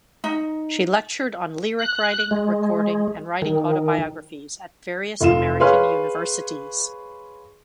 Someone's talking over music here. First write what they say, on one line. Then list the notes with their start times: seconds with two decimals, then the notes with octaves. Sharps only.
She lectured on lyric writing, recording, and writing autobiographies at various American universities.
0.24 D#4
1.79 F#6
2.31 G#3
3.42 D#3
5.21 F1 F4 E7
5.60 G#4 B4 C#5 F5 C6 F6